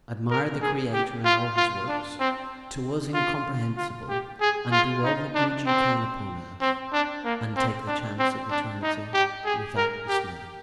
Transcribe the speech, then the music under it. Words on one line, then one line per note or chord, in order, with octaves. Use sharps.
Admire the Creator, and all his works, to us incomprehensible: and do all the good you can upon earth; and take the chance of eternity, without dismay.
A#4
G#4
G4
F4
F4
D4
C4
F4
F4
G4
G#4
F4
D#4
D4
C4
C4
D4
A#3
C4
D4
C4
D4
D#4
G4
G#4
A#4
G4